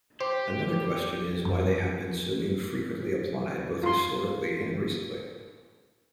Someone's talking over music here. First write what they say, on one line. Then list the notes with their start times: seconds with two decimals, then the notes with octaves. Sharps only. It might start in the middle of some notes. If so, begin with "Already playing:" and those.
Another question is why they have been so infrequently applied both historically and recently.
0.20 G4 C5
1.45 F#2
3.83 F4 C6